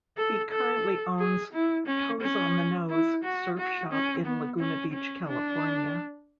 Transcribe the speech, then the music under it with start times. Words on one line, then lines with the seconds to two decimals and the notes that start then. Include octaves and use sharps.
He currently owns "Toes on the Nose" surf shop in Laguna Beach, California.
0.17 A4
0.52 A4
1.19 G#4
1.53 E4
1.87 C#4
2.21 C#4
2.90 E4
3.24 F#4
3.58 F#4
3.92 C#4
4.25 B3
4.59 C#4
4.93 C#4
5.28 D4